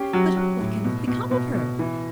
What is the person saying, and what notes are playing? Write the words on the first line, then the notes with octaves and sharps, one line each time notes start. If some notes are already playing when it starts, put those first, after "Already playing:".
"But what can have become of her?"
Already playing: C#4 G4
F#3
F#3
A2
B2
B2
B2
B2
E3